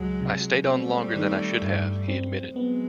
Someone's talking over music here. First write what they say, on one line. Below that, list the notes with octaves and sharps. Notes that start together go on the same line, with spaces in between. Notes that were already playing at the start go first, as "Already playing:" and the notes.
I stayed on longer than I should have, he admitted.
Already playing: C#2 F#3 G#3
C3
G3 A3 C4
D#3
G2
C4
F#3 G#3 B3